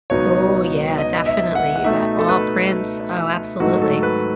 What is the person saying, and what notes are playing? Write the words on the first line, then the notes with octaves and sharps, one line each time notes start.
Ooh yeah, definitely, you got all Prince. Oh, absolutely.
C#2 B2 F#3 B3 D#4 C#5
D#5
E5
F#5
F#5
B2 A3 D#4 E5
A4
B4
G#2 D#3 F#3 A3 F#4
A4
B4